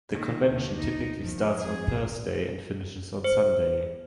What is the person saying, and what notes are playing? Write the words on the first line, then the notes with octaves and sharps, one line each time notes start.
The convention typically starts on Thursday and finishes on Sunday.
D#3 A#3
D#2 D3
D#4
D#3 F3
F2 G#4
C5